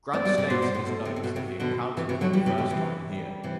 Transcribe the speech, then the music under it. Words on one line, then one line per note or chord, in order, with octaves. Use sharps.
Grant states in his notes that he encountered it for the first time here.
A3 C4 D5
G3 B3
C3
B2 C5
B2
A2
B2 A4
C3
C3
B2 F#4
C3
B2 D3 F#4
C3 E3 F#4
C3 E3
D3 F#3
E3 G3 G4
C3 E3
B2 D3
C3 E3
G3
C3 E3